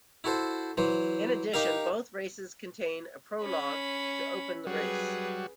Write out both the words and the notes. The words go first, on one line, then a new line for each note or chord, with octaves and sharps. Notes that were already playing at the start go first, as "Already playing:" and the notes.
In addition, both races contained a prologue to open the race.
E4 F#4 A4 C5
E3 F#3 C5
D#4 G4 A#4 F5
C#4 B5
F#3 G3 F#4 G#4 B4